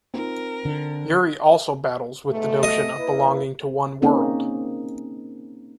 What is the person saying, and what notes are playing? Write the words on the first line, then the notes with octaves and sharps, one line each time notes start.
Yuri also battles with the notion of belonging to one world.
C4 D#4 F4 A#4
D3
G#2 B2 A3
D#5
A#3 E4 B4
A#3 C4 C#4 D#4 G#4